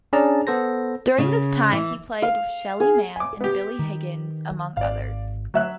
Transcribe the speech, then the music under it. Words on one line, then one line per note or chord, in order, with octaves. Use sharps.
During this time he played with Shelly Manne and Billy Higgins, among others.
C#4 D4 G#4 D5 A5 A#5
B3 A4 C5 A#6
C#3
E3
F5
G#4
G#5 D6
B3 G4
D#3
G#1 D5 F5
F#3 E5 F#6